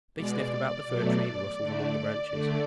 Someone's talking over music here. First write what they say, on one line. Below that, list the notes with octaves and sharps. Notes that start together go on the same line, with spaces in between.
They snuffed about the Fir Tree, and rustled among the branches.
B2 G#3 D5
B2 F#3 A3
D3 A3 D5
D3 A3